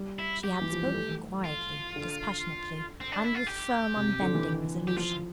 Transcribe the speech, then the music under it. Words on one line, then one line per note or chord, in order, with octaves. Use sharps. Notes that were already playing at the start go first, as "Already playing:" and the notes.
She had spoken quietly, dispassionately, and with firm, unbending resolution.
Already playing: G3
E4
G4
E3
F3
G3
A3
F4
D3
C4
D4
E4
F4
G4
C3
C3
D3
E3
G4
F3 F4